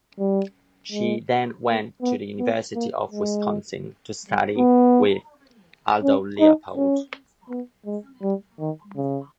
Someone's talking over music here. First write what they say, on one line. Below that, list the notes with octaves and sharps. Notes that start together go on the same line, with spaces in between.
She then went to the University of Wisconsin to study with Aldo Leopold.
G3
G#3
A#3
B3
B3
A#3
G#3
B3
C#4
D#4
C#4
B3
G#3
G3
D#3
C#3